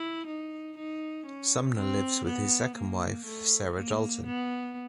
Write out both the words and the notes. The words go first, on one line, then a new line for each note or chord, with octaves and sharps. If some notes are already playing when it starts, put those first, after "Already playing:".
Sumner lives with his second wife, Sarah Dalton.
Already playing: E4
D#4
D#4
C#4
C4
B3
A#3
A3
A#3
B3